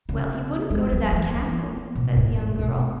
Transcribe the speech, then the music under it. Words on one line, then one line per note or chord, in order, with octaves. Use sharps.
"Well, he wouldn't go to that castle," said the young girl.
C#3
G#3
F#3
E3
E3
B2
A2
G#2
B2